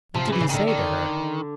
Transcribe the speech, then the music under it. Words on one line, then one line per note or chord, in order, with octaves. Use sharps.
What did he say to her?
C3 F3
C#3
E3
C#3
D3 D#3
D#3